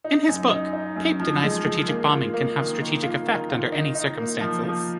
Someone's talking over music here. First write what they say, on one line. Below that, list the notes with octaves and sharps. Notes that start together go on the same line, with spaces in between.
In his book, Pape denies strategic bombing can have strategic effect under any circumstances.
D#4
F#2
D#4
D#4
F#2
F3
G#3
G#3
A#3
F4
A#3
D#3
D#3
F4
D#3
F4
D#4
D#4
A#3
F3
F3